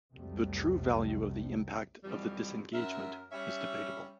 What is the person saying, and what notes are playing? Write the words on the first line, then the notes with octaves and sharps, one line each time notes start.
The true value of the impact of the disengagement is debatable.
C2 F2 C3 F#3 G3 A3
F2 B2 E3 G3
F#2 A#4 E5
G3 C#4 E5